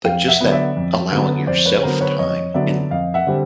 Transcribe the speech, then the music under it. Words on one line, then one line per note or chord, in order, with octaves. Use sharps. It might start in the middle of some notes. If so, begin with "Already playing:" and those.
but, just that allowing yourself time, and
F2 F5 G5
E5 F#5
D3 F#3 B3
D5 E5
F2
D3 F#3 B3
F2 C5 D5
B4 C#5
D3 F#3 B3 A#4 C5
B4 C#5
F2 C#5 D#5
D3 F#3 B3 D5 E5
F2 D#5 F5
E5 F#5
D3 G3 C4